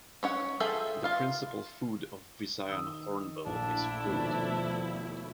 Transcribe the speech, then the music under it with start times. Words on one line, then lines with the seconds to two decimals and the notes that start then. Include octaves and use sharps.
The principal food of Visayan hornbill is fruit.
0.23 C#4 C#5 F#5
0.60 F4 G#4 A4 E5 G5
1.04 F4 F5
2.68 D#3 D#6 E6
3.46 A#1 A3 D4 E4
4.07 D#2 B2 F3